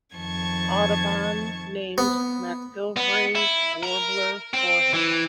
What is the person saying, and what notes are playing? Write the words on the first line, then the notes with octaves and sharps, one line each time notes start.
Audubon named MacGillivray's warbler for him.
F2 D#3 A5 C#6 G#6
B3
B3
E4
A#4
C4
E3